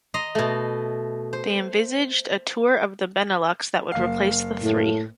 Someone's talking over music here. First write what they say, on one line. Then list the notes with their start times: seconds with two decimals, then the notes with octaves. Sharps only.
They envisaged a Tour of the Benelux that would replace the three.
0.14 D#5 A#5 C6
0.35 B2 A3
1.33 C5
3.92 F#1 F5
4.63 A2